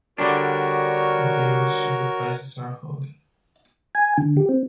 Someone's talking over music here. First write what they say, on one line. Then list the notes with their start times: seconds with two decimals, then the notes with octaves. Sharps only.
The various sacrifices are holy.
0.18 D3 G3 D4 F#4 A#4 C#5
3.95 G#5
4.18 D3
4.37 G4
4.49 C4